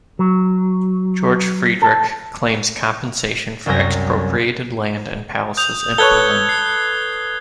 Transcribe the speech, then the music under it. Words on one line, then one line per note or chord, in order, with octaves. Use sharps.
Georg Friedrich claims compensation for expropriated land and palaces in Berlin.
F#3
A4
C2 F#2 G5 G#5 A#6
D#6 G6 F7
A4 B4 C#5 F#6 G#6 G7
C7